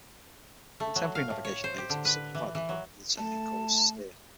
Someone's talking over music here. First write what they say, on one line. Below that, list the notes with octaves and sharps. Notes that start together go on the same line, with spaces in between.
Contemporary navigational aids have simplified the problem of determining course to steer.
A3
F#3
F5
A2
C#5
C5
G4
D3
B4
E3
E3
F#3
A3 A5